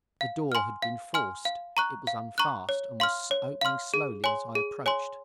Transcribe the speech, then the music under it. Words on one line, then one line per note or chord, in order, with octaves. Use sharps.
The door had been forced; it was unfast and was opening slowly as I approached.
F5
G#5 C6 F6
F5
G#5 C6 F6
F5
A#5 C#6 F#6
F5
A#5 C#6 F#6
C#5
F5 C6 F6
C#5
F5 C6 F6
G#4
C#5 G#5 C6
G#4
C#5 G#5 C6